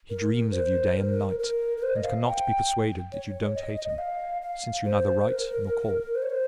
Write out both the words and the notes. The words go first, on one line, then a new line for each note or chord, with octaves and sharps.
He dreams of you day and night, and cannot be persuaded that you don't hate him, since you neither write nor call.'
A#4
C5
A#4
A#4
A#4
C5
D#5
F5
G5
C#5
D#5
D#5
D#5
F5
F5
C5
A#4
C5
C#5
C5